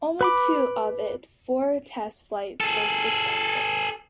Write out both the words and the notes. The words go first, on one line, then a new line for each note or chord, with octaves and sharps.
Only two of its four test flights were successful.
B4 B5 D6
G#4 A4